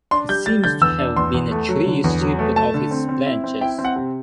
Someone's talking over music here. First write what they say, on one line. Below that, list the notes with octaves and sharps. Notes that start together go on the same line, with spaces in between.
It seems to have been a tree stripped of its branches.
D4 C6
G3 G6
G3 A6
D3 G6
E2 E6
D4
E2 C6
E2
A3
F#3
D3
E2
F#3
A3
A3 A5
D3
C4
C4
E4
C4
E4 G5
C4
F#5
C3